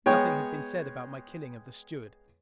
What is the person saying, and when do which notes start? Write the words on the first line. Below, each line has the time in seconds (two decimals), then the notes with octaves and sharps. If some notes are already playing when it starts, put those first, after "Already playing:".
Nothing had been said about my killing of the steward.
0.06 G#3 B3 C#5 G5